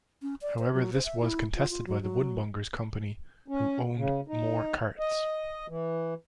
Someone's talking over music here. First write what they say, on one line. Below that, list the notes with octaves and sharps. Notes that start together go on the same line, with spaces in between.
However, this was contested by the Woodmongers' Company, who owned more carts.
C#4
D5
C5
F#3
C5
E5
E4
F4
F4
F#3
F#3
C#4
C#3
D#4
D#5
E3